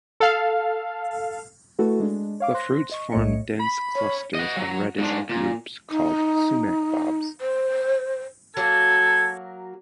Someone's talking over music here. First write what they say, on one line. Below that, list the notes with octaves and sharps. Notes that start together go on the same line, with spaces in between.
The fruits form dense clusters of reddish drupes called sumac bobs.
A4 F5
A3 E4 F#4 A4 B4
G#3 D4
C#5 F5 D6
C5 C6 F#6 A#6
D#5 C#6
B1 A2 A3 C#5 D#5 C#7
B5
C#5
D#5 F#5
F#3
G#2 D4
A#2
D#4
C5
F#3 A#3 F#4 A4 G#6